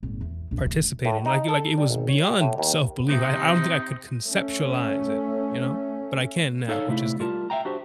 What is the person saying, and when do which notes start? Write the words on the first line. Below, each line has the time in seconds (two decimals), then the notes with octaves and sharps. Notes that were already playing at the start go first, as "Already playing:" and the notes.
participate in. Like, it like, it was beyond self-belief. I I don't think I could conceptualize it, you know, but I can now, which is good.
0.03 G#1 A#2
0.21 E2
0.51 A#1 D4
0.63 D1 E2
1.05 A2
1.26 D#4
1.49 A4
1.78 G3
1.91 G#1
2.09 C#5
2.24 G4
2.41 A2
2.58 D#2
3.09 C3 D#4
4.23 A3 C#4
6.68 D#4 A4 C#5 D5 F5
6.89 C3 A3 E4
7.20 G3 F4 A#4 A5
7.50 E5 F5 G5 A#5
7.65 D4 F#4 G4 C5